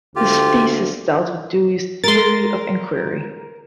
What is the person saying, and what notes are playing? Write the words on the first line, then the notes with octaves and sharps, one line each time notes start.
His thesis dealt with Dewey's theory of inquiry.
D2 F4 G4 A4
A#4 C6 A6